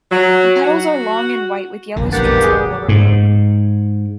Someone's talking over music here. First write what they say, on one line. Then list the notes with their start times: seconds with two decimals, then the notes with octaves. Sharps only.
The petals are long and white with yellow streaks on the lower lobe.
0.11 F#3
0.65 F#4
1.96 F1 A#1 D3
2.13 B1 A#3 B3 D4 G4 F#5 A6
2.44 G#4
2.89 G#2